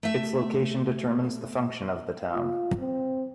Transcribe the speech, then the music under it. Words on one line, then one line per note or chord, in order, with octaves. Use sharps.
Its location determines the function of the town.
A3 E5
F4
C4